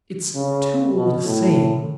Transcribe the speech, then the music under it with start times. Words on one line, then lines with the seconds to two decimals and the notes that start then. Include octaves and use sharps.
It's too old a saying.
0.35 C#3
0.96 B2
1.25 A2